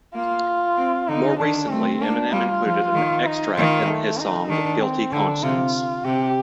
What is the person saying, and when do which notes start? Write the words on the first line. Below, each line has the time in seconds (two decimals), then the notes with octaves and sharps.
More recently, Eminem included an extract in his song, "Guilty Conscience".
0.15 A#3 F4
0.77 C4
1.08 D3 D#4
1.40 D#3 D4
1.70 A3 C4
2.01 A#3 D4
2.32 G3 F4
2.64 F3
2.95 D#3
3.26 D#4
3.57 D#3 F4
3.87 A3
4.18 D#4
4.50 D#3 D4
4.81 C4
5.12 D3 D4
5.43 C3 F4
6.05 C3 G4